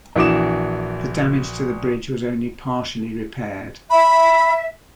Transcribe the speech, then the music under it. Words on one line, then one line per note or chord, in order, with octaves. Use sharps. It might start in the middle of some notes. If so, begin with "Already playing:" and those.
The damage to the bridge was only partially repaired.
A#1 E3 F#4 D6 D#6 E7
E5 B5